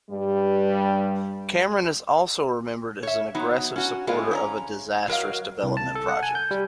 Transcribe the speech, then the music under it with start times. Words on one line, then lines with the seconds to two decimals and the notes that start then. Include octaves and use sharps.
Cameron is also remembered as an aggressive supporter of a disastrous development project.
0.10 G2 G3
3.03 C#5 E5
3.35 F#3 B3 D#4
3.76 C#4 F#4
4.07 A2 G#3 A3 C4 F4
4.31 C#4 D4 A#5
5.08 F#3 A#4 D#5 F5
5.63 C2
5.77 A5
5.95 A4
6.08 F#5
6.23 G#5
6.35 G6
6.51 G3